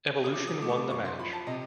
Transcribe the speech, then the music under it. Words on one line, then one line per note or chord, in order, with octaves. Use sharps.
Evolution won the match.
D#6
F3 D6
D#6
A3 D6
C#6
D6
F#2 C#6
C6
F3 B5
A5
C3 D#5